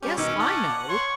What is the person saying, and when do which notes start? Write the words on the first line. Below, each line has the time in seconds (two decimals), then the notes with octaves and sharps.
"Guess I know!"
0.02 G3 C#4 G4
0.18 B2 D#3 C#4 D#4 D6 E6
0.40 F#5 A5 D6
0.89 C#5 C6 C#6